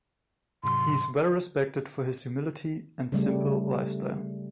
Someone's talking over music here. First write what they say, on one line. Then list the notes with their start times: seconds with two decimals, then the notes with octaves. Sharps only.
He is well respected for his humility and simple lifestyle.
0.64 G#2 C3 F#3 C6
3.12 C#3 G3 A3